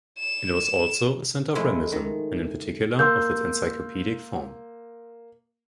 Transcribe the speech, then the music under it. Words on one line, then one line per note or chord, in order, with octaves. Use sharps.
It was also a centre of Ramism, and in particular of its encyclopedic form.
E7
F2 G#3 A3 E4
D#3
A#3 C6 E6 G6